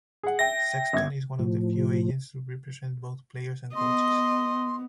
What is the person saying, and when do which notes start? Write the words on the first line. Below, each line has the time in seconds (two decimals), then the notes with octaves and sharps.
Sexton is one of the few agents to represent both players and coaches.
0.23 G#4 F#5
0.39 E5 G5 A#6
0.93 G1 G#6
1.39 A2 F3
3.76 B3 D#5 C6